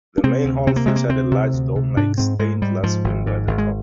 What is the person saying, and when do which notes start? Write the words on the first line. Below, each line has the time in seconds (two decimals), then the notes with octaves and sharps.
The main hall featured a large dome-like stained glass window at the top.
0.18 D4
0.24 C3 C4
0.45 D2
0.67 C3 C4
0.76 A#3
0.86 C3 G#3
0.96 A#3
1.09 D2 C4
1.31 C3
1.54 D2
1.75 C3
1.97 G#2 D4
2.18 G#2 C4
2.39 G#2 G#3
2.62 G#2 G3
2.83 G#2 F3
3.04 G#1
3.26 G#2
3.47 G#1
3.58 G#3